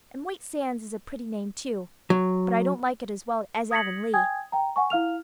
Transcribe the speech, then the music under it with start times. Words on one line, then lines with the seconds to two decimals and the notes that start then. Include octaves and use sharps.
And White Sands is a pretty name, too; but I don't like it as well as Avonlea.
2.10 F#3
3.71 D#6 G#6 A#6 B6 C#7 F#7
4.13 G5 G#5 D#6 G#6
4.52 G5 A#5
4.76 F#5 G#5 C#6
4.90 E4 F5 F6 F7